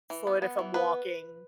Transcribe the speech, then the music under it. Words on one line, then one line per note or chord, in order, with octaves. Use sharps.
foot, if I'm walking,
E3
B3
B3
E3
B3 B4